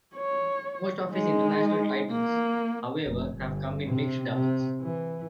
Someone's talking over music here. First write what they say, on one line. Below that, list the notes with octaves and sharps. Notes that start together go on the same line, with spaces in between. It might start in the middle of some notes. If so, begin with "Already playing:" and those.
Most of his international titles, however, have come in mixed doubles.
C#5
G#3 D#4
A#3
F1
G1
C3
C3
E3